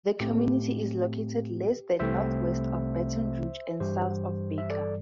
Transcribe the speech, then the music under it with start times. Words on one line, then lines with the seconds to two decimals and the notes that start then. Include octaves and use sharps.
The community is located less than northwest of Baton Rouge and south of Baker.
0.20 A2 A3 C4 G4
0.30 A4
0.40 G4
1.99 C2 C3 A3 C4 C5 E5
3.80 G2 E3 G3 G4 C5
4.58 E5
4.70 A4 D5